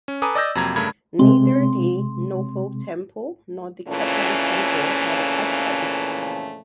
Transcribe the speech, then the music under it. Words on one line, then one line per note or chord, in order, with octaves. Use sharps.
Neither the Nauvoo Temple nor the Kirtland Temple had a president.
C#4
A4 B4 G#5 A#5 D6 D#6
D5 D#5 D#6 E6 G6 A#6
F2 C3 F#3 A#3 A#5 G#6
G2 C#3 A3 A#4 B5 G#6
C3 G#3 C4 C6
F2 A#2 C#3 E3 A3 C#4